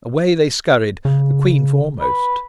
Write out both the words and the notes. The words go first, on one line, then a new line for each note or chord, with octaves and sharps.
Away they scurried, the queen foremost.
C#3
B4